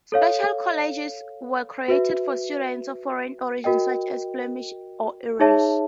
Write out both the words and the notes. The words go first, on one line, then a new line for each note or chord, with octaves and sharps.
Special colleges were created for students of foreign origin, such as Flemish or Irish.
A4 C#5 F5
F#4 B4 E5
F#4 A#4 D#5 G5
D#4 G#4 C#5 E5 A5